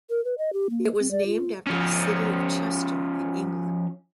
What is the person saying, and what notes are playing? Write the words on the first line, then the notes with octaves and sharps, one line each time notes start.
It was named after the City of Chester in England.
A#4
B4
D#5
G4
A#3
C4
D5
F4
F3 C#4